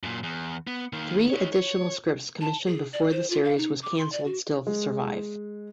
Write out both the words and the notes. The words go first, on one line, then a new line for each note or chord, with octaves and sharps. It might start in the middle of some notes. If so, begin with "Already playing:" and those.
Three additional scripts commissioned before the series was cancelled still survive.
F#2 A#2
E2
B3
D#3 A#3
D#4 C#5
C#5
A5
G#4
D5
C5
F4
F5
D#4
D6
C6
D5
F#4
G#3